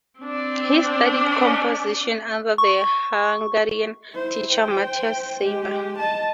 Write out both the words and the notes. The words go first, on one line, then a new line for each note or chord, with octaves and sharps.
He studied composition under the Hungarian teacher Matyas Seiber.
C4 D4
C#6
E4 C5
C5 G5
G#3 G4
D#5 A5